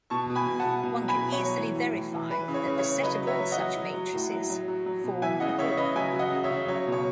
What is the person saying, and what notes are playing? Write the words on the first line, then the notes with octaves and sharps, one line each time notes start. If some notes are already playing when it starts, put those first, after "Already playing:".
One can easily verify that the set of all such matrices forms a group.
B2 A5 C#6
B2
G#5 B5
B2
F#5 A5
B2
B2
F#3
G#5 B5
B2
C#5
F#3
E3
A2
A2
E3
E3 B4
C#3
C#5
C#3
C#5
C#3
F#3 B4 D#5
F#3 C#5 E5
F#3
D#5 F#5
F#3
F#3
F#3
A2
F#3
F#3
F#3
F#3
B2
E3 E5 G#5
C#3 D#5 F#5
C#3 C#5 E5
C#3 B4 D#5
F#3 E5 G#5
F#3
D#5 F#5
C#3
C#5 E5
C#3
F#3 C#5
B2 C#5